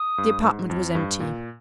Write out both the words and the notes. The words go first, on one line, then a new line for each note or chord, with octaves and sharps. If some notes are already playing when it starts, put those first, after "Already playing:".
The apartment was empty.
Already playing: D#6
G2
G#2
F2
G2
A#2